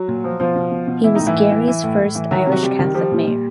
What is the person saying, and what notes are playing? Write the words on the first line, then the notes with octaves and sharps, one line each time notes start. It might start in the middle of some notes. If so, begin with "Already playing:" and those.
He was Gary's first Irish Catholic mayor.
Already playing: F#3 F#4
A#2
F3
B2 F3 F4
B2
B2
B2
E3 E4
A2 D#4
E3 E4
A2
E3
E3
A2
A2
E3
D#3 F#3 F#4
C3 F#4
C3 G3 G4
D#3
F3 G3 G4
A#2
A#2